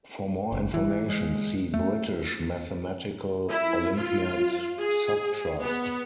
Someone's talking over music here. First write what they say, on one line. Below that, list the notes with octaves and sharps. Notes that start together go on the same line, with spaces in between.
For more information see British Mathematical Olympiad Subtrust.
F#1
E3
G#3
A3
E4
F4
G#4
B3